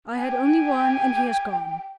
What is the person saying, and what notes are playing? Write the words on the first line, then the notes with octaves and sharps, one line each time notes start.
I had only one, and he has gone.
G5 G#5